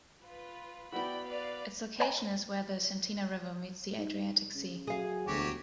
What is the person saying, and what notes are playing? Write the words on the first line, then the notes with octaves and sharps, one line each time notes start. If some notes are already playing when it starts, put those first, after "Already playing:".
Its location is where the Cetina River meets the Adriatic Sea.
F4 B4
B3 E4 F#4 D5 G5 B5
B4 D5 F5
B4 C#5 D#5 G5 G#5 A#5
D#4
C#3
F#3 G#4 F5
E1 D2 F#3 F#4 G4